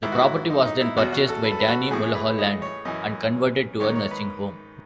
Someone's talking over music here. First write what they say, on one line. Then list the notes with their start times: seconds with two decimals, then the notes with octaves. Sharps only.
The property was then purchased by Danny Mullholland and converted to a Nursing Home.
0.03 G#2 D#3 E4
0.12 F#4
0.21 E4
0.50 D#4
0.65 D#4
0.81 E4
0.97 E2 B2 F#4
1.12 F#4
1.28 A4
1.44 B4
1.52 A4
1.59 B4
1.68 F#4
1.91 A2 E3 G#4
2.15 B4
2.39 D#5
2.62 C#5
2.85 F#2 E3 D#5
3.80 G#2 D#3 C#5
3.95 C#5
4.11 B4